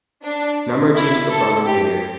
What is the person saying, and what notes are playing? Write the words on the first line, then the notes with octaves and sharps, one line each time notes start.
Number of teams per province may vary.
D4
E4
A4
G4